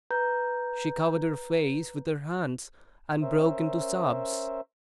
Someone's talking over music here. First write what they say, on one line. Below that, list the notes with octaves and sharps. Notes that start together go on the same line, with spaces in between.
She covered her face with her hands, and broke into sobs.
B4 A#5 G6
C#4 A#4 C5 E5